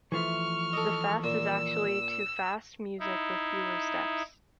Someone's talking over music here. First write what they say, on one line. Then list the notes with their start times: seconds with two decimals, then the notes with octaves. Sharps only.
The fast is actually to fast music with fewer steps.
0.12 E3 F3 A3 C#6 F6
0.73 A4 D#5
1.24 A#2 E6
2.99 D#4 E4